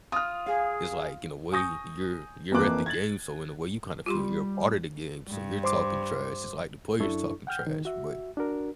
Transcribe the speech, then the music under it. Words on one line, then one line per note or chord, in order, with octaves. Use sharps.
it's, like, in a way you're you're at the game, so in a way you kind of feel you're a part of the game, so you're talking trash. It's, like, the players talking trash, but,
F4 D#6 F6
G#4 F5
G#5 C#6 D#6 G6 A#6
F2 E3 A#3 D6 F#6
G#6 A6 F#7
G3 F4 G4 C6
G2
C5 C6 D6
F#2 D4 E4 A4 C#6
F#5 G5 F6 G6
D#3
F#4 E5
D4 F#4 A#4